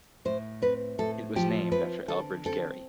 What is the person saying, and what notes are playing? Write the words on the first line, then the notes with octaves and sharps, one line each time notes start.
It was named after Elbridge Gerry.
A2 C5
C4 B4
A2 A4
F3 G4
C4 B4
D3 A4
C4 A4